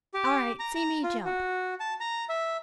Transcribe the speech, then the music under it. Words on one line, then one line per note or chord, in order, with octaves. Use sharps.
All right, see me jump.
G4
A#5
A#5
F4
F#4
A5
A#5
E5